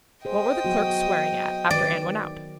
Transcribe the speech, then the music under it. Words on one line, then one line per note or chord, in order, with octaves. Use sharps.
What were the clerks swearing at after Ann went out?
G#4 C5 D#5 G5
F#3 B3 F#4
D#3 D5